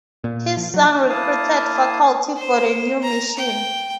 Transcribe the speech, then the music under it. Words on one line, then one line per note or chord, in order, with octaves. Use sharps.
His son recruited faculty for the new mission.
A#2
F3
F#3
A#3 E4 F5 A5 D#6
C5
A#5
G5